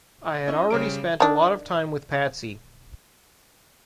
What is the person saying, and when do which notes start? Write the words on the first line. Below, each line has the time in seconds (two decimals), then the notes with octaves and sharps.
I had already spent a lot of time with Patsy.
0.48 C#4 E4 D#5
0.71 C#3 G3 G#4 C5 C#5 D7
1.20 D#3 D4